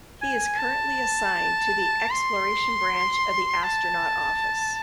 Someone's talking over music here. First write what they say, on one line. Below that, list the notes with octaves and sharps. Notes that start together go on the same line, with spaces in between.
He is currently assigned to the Exploration Branch of the Astronaut Office.
G#5
A5
C6
A5